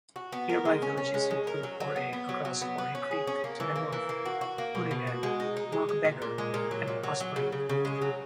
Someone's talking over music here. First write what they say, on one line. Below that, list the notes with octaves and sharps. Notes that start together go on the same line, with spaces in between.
Nearby villages include Oare across Oare Creek to the north, Luddenham, Mockbeggar and Ospringe.
F#4
B3
A#4
G#3
C#4
C#4
G#3
G#3
A#4
F#3
F#3
B3
B3
F#3
F#3
B3
B4
C#4
G#4
C#4
A#3
E3
A#3
E3
A#3
F#4
F#4
A#3
B2
B2
F#4
G#3
D#4
D#4
G#3
G#3
A#2
A#2
G#3
A#2
F#3
A#2
F#3
F#3
C#3
C#3
C#3
G#3
F#3